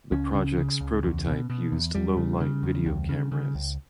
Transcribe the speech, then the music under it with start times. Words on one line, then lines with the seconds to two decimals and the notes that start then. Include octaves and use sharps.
The project's prototype used low-light video cameras.
0.12 C#2 C#4
0.35 C#3
0.58 C#3
0.81 C#2
1.03 E2
1.27 B2
1.50 B2
1.72 E2
1.95 E2 G3
2.17 C#3
2.40 C#3
2.63 E2
2.86 C#2
3.09 C#3
3.32 C#3
3.55 C#2